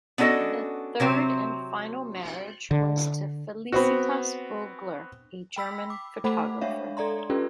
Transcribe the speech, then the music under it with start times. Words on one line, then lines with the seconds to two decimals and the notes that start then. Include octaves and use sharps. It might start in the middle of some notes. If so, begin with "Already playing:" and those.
The third and final marriage was to Felicitas Vogler, a German photographer.
0.18 B3 C#4 D4 F#4 A4 D#5
1.00 C3 F#3 C4
2.71 D3
3.72 B3 C4 F#4
5.56 G5 B5 E6 B6
5.90 D6
6.24 A3 A4 C5 F#5 B5 D6
6.61 G#3 D4 C#5 E5 F5
6.97 A4 D5 A#5 C6
7.30 C#4 F4 G4 A4 B4